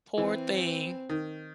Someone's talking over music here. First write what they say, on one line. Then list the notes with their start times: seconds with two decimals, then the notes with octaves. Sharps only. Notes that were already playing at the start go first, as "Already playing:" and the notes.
Poor thing,
0.18 E3 C4
1.09 D#3